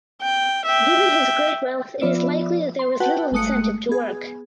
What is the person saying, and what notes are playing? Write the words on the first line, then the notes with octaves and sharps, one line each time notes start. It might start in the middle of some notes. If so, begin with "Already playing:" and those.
Given his great wealth it is likely that there was little incentive to work.
G5
E5 G5
F3 B3 F4 D5 E5
C6
F#4 B4 F#5 G5 A5
G1 G#3 A3 D#6 F#6 C#7
B3 G#4